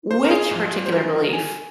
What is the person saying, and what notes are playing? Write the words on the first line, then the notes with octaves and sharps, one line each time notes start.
which particular belief,
C5
A#4
G#4
G#2 F3
C5
A#4
G#5